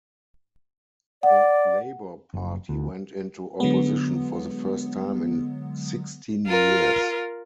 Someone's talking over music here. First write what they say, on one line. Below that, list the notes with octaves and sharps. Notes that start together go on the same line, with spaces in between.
The Labour Party went into opposition for the first time in sixteen years.
D5 F#5
F#1
D2
D3 F#3 G#3 B3
F4 A#4